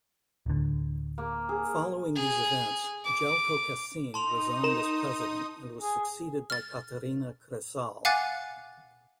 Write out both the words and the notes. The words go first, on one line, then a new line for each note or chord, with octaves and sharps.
Following these events, Jelko Kacin resigned as President and was succeeded by Katarina Kresal.
D1 D3
A#3
G#4
G#4
D6
D#4 A5 C6 D#6 F7
A#4 E7
G#4
F6 A6
F5 F#5 G#5 D6 F#6 A6